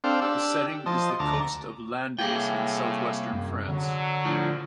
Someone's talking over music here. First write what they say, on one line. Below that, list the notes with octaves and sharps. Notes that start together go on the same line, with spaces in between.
The setting is the coast of Landes in southwestern France.
C4 D4 A4 F5 G5
D4 G4 E6
F3 C5 D#5 A5
D2 A5 A#5 D6
C2 A2 A#3 G#4 G5
F#2
D3 F#3
A2 F3 D4